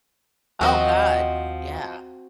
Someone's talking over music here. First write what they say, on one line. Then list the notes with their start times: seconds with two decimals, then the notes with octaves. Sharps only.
Oh, god, yeah.
0.61 D#2 F3 C4 F#4 D#5